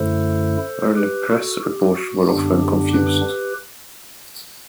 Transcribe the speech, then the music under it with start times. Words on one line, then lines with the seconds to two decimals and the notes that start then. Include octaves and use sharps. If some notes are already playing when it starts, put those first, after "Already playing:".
Early press reports were often confused.
Already playing: F#2 D3 A3 E4 A4 C5
0.96 G4 B4
1.30 F#4 A4
1.62 G4
1.96 F#4
2.28 F#2 D3 G3 B3 D4 G4
2.62 G4
2.94 G4 B4